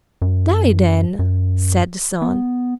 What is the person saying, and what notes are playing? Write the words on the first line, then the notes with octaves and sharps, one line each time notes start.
'Die, then,' said the son.
F#2
F#2
B3